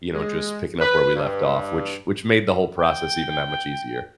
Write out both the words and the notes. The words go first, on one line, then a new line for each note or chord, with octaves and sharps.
you know, just picking up where we left off, which which made the whole process even that much easier.
G#3
B4
G2
G5